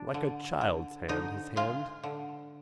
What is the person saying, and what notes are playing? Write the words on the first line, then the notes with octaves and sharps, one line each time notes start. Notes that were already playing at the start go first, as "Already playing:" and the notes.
Like a child's hand, his hand.
Already playing: D4
D3
D3
D3 D#4
G#3 F4
D3